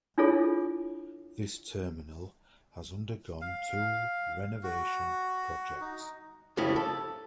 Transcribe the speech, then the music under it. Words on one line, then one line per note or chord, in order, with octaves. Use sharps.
This terminal has undergone two renovation projects.
D4 E4 F4 G#4 A4 C#5
F5
F#4
D#4
F2 G#2 C#3 G3 E4
A4